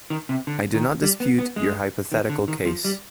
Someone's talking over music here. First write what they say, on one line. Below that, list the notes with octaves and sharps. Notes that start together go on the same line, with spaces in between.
I do not dispute your hypothetical case.
D#3
C3
D3
D#3
G3
B3
B3
G#3
D#3
D3
D#3
F3
G3